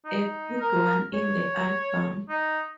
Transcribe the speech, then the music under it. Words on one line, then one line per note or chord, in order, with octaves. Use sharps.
A good one in the album.
D#4
A#4
C#5
D#4